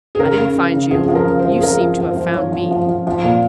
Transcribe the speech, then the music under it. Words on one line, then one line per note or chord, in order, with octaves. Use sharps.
I didn't find you; you seem to have found me.
G#4
C#3 A#4
C#3
C#3
C#3
F3 G#4
F3
A#4
C#3
C5
F3
G#4
F3 A#4
F3
F3
C5
F3
F3 C#5
F3
F3
F3
F3
A#2